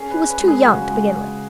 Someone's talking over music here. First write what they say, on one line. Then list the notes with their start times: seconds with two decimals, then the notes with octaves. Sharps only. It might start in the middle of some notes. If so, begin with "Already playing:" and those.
He was too young, to begin with.
Already playing: C#4 G#4
0.10 B4
0.17 C#4
0.29 B4
0.41 G#3
0.48 G#4
0.66 C#3 F#4
0.91 G#3
1.14 C#3